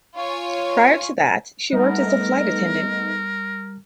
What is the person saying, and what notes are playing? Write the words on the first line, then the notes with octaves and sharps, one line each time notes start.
Prior to that, she worked as a flight attendant.
F4 C#5 G#5
G3 A3 B3 D#4 A#4